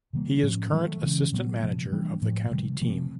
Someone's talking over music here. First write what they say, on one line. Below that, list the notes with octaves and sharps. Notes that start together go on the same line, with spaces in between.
He is current assistant manager of the county team.
C3 D#3 G3 A#3
A2 F3 A3 C#4
D#3 F#3 A3
C#3 E3 G#3 C#4
A#2 F#3 B3
C3 F3 A3
E3 G3 A#3 D4
A2 F3 A3
C3 D#3 G3
C3 F3 A3 C4